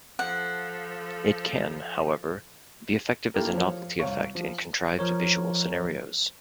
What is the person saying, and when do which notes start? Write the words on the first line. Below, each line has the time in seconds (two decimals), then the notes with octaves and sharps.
It can, however, be effective as a novelty effect in contrived visual scenarios.
0.19 F3 A4 F#5
3.34 A3 A#3 E4 G4 A#4
3.54 F3 C#5
3.99 C2 C#5 F5 C#6
4.35 F3
4.99 F3 A#4 C#5